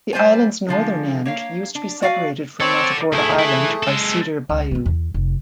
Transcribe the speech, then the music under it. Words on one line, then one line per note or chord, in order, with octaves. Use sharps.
The island's northern end used to be separated from Matagorda Island by Cedar Bayou.
G3 C5 D5 G#5
D3 F3 G#3
A#3 C#5 F5
D4
F#4 D5 F5 G5 G#5
C4 A4 C#5 D5
D2 A3 E4 G#4
E4 B4
G#3 A4
C#2
A#3 C4
E2
F1